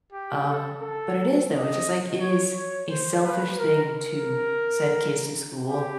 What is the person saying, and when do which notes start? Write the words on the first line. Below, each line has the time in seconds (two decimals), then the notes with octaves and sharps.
um but it is, though, it's just, like, it is a selfish thing to send kids to school,
0.13 G4
0.47 A4
0.82 A4
1.51 D#5
2.20 C#5
2.55 C#5
2.89 C5
3.23 B4
3.58 A#4
3.94 A#4
5.67 G4